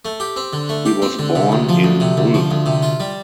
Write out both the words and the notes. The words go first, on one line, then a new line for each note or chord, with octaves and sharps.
He was born in Ulm.
A3
G4
C4
D3
A3
G4
C4
D3
C3
D2
F3
D2
C3
D2
F3
D2
C3
F4
G3